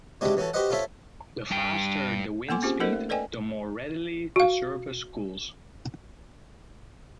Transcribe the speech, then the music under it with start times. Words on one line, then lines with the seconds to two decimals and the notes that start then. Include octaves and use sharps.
The faster the wind speed, the more readily the surface cools.
0.21 C3 G#3 D4 E4 F#4 G4
0.37 E3 C#4 F#4 A4
0.54 F#4 G4 B4 C5 D#5 F#5
0.70 F4 A4 C5 C#5 E5
1.51 G2 G5
2.49 A#3 B3 A4 G#5 C6 D6
2.62 C4 C#4 F4 G4 G#4 C5
2.80 A#3 D#4 A4 A#4 C5 D#5
2.93 A3
3.09 A4 B4 D5 D#5 G5 G#5
4.36 F#4 F5